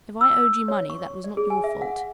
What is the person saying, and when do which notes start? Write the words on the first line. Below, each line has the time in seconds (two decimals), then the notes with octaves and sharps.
If I owed you money, that was not your fault.
0.21 E6
0.68 C#5
0.90 C#6
1.24 D5
1.37 G#4
1.50 G#5
1.64 E5
1.82 F#5